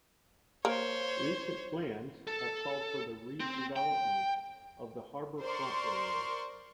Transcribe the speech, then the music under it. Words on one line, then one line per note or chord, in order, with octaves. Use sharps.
Recent plans have called for the redevelopment of the harbor front area.
A#3 C5 C#5
A4
C4
G5
A#4 C5 D5 C6 C#6